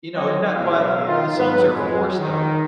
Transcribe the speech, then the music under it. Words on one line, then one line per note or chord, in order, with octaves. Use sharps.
you know, it not by, eh, the songs are forced on ya,
F#3 C4 C#5 D#5
C#2 B2 E3 F#3 E5 F5
D#3 F4
G#2 F#3 B4
F2 F#3 G#3
D#3